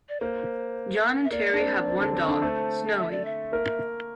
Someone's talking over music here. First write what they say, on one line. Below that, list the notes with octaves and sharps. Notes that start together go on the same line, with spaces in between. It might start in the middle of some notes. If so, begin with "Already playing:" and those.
John and Terry have one dog, Snowy.
D5
A#3 C5
E5
A#3 D5
D4
C4
C4
D3 D4
C4
D3 D4
A3 A4 C5
E5
D5
E5
A#3 A#4